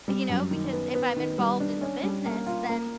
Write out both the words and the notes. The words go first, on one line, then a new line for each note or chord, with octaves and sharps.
you know, because if I'm involved in the business, then
G3
F#2
D#3
B3
B3
D#3
G3
D4
C#4
G3
A#3
F4
A#3